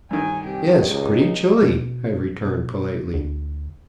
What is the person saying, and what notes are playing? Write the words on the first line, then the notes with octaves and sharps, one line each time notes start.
"Yes, pretty chilly," I returned, politely.
G1 G2 D#3 G#5
C2 G4
C#2 D#4
B2
B2
D2